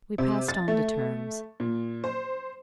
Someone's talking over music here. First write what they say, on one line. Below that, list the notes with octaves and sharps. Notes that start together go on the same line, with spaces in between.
We passed on to terms.
C3
A6
A3
A#2
C5